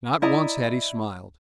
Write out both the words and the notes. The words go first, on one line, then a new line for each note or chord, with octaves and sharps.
Not once had he smiled.
E4 D5 D#5 A#5